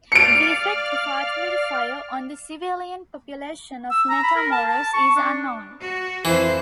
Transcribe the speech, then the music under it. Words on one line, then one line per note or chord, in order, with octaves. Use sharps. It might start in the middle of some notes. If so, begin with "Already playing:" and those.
The effect of artillery fire on the civilian population of Matamoros is unknown.
D5 F5 F6 C#7 D7
E6
A#5
B5
A#4
A5
A5
C#6
D4
F#4
F2 E3 C5